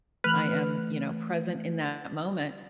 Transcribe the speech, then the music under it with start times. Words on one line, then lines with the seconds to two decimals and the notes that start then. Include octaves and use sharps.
I am, you know, present in that moment
0.24 E3 A3 B4 F6 F#6